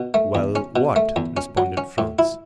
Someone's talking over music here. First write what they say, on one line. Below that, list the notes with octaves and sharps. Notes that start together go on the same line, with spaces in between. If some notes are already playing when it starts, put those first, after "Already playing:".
"Well--what?" responded Franz.
Already playing: B2
A3
E2
C#4
B2
A3
E2
C#4
F#3
C#4
A2
E4